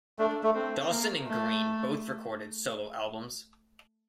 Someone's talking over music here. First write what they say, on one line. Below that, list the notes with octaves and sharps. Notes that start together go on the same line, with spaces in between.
Dawson and Green both recorded solo albums.
A3 D4
A3
C4
A#3
A3